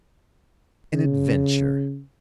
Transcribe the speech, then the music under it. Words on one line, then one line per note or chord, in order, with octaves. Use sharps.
An adventure!
C#3